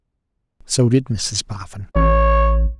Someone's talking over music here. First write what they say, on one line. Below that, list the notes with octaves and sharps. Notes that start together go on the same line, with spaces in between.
So did Mrs Boffin.
A1 C#5